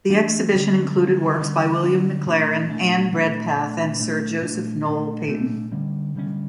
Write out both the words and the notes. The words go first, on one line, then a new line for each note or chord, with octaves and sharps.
The exhibition included works by William McLaren, Anne Redpath and Sir Joseph Noel Paton.
E3 A3 D4
D3 G3 C#4
D3 G3 C#4
D3 G3 C#4
D3 G3 C#4
A#2 A3 D4
A#2 A3 D4
A#2 A3 D4
A#2 A3 D4
A#2 A3 D4
A#2 A3 D4
A#2 A3 D4
A#2 A3 D4
D3 G3 C#4
D3 G3 C#4